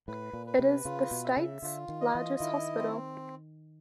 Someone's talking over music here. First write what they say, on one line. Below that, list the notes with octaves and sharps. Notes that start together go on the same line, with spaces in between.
It is the state's largest hospital.
A2 B4
A#2
B4
C3
C#3 F4
B2
E5
C#3
D3 F4
D#3
D#5
E3
D#3 E4
C4